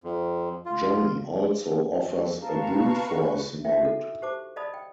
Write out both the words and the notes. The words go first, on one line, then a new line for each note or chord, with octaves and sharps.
John also offers a brute force mode.
F2
F4
B4 F5 A5 A#5 C#6
D#4 E4 E5 G5
F#4 A4
G4 C5 A5 D6
D5 D#5 A5 B5 D#6
G5